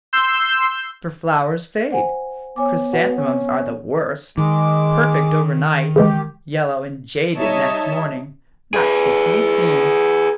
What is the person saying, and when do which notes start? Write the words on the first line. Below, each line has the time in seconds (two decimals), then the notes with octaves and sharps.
For flowers fade; chrysanthemums are the worst; perfect over night; yellow and jaded next morning--not fit to be seen.
0.13 C6 E6 G6
1.91 C5 F#5 G#5
2.56 B3 C#5 G#5 D6
2.93 B2 F#5
3.18 C#4
4.38 D#3 G#3 D6
5.96 C#3 E3 G#3 G4
7.36 G3 D#4 C#5 D#5 E5 A5
8.74 G#4 B4